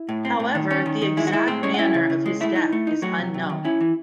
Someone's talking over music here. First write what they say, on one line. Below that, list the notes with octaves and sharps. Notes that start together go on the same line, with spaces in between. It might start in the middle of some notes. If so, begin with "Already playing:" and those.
However, the exact manner of his death is unknown.
Already playing: E4
A2
C4
A2
D#3
C#4
D#3
D#3
G#3 E4
F#4
G#3 E4
A2 C4 C5
G#3 C#4 C#5
F#5
C#4 E4 E5
C#3
C#3
G#3
A3 E4 E5
D#4
A3
D#4
F#3 A3 F#4
C3
C3
D#3
C#4 E4
E3